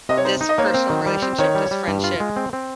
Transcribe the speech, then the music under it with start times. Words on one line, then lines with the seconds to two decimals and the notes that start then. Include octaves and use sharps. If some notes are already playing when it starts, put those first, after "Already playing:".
this personal relationship, this friendship,
0.09 C3 D#5
0.17 C#5
0.25 D#4 C5
0.41 D#4
0.49 D#5
0.58 A#3 C#5
0.66 C5
0.74 C4
0.90 D#3
1.06 G3
1.22 C4
1.39 D#3 C#5
1.55 G3
1.71 G3
1.88 G2
2.04 F4
2.20 G#3
2.36 C4
2.53 C4